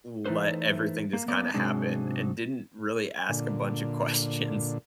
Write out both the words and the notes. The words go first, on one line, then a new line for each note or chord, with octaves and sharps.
let everything just kinda happen and didn't really ask a bunch of questions
E3 A3 D#4 B4 C5
A#3
A#3 B3 D5
G#2 C3 F#3 G#3 D4 D#4
A#2 D3